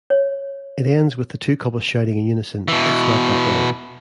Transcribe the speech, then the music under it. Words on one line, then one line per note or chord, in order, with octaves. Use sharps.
It ends with the two couples shouting in unison It's not that way.
C#5
B2 E3